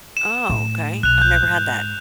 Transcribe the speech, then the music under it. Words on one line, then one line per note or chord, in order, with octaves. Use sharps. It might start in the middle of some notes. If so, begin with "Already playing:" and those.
Oh, okay, I've never had that.
E7
A2
B1 F#6 F7
G6
G#2